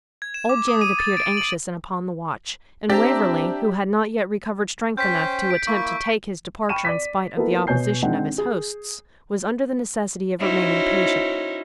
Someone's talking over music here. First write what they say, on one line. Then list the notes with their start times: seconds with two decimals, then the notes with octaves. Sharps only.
Old Janet appeared anxious and upon the watch; and Waverley, who had not yet recovered strength enough to attempt to take his departure in spite of the opposition of his hosts, was under the necessity of remaining patient.
0.22 G#6
0.34 E7
0.49 D6
0.68 D#6
0.81 D#7
0.99 A6
1.17 D7
1.37 F#7
2.90 C4 D4 G4 C5 D5 E5 A#5
4.97 C#4 C5 G5 G6 B6
5.51 D7
5.67 A#3 E4 E5 C#6
6.69 G5 B5 C#6 F6 D#7 E7
6.85 D5 D6 B6
7.37 A#3 B3 E4 F#4 A4 A#4
7.67 B2 C#5 G#5 G6 C7
8.02 D#3 G#3 C4 D4 F#5
8.38 G#4
10.37 C#4 D#4 E4 F#4 C5 C#5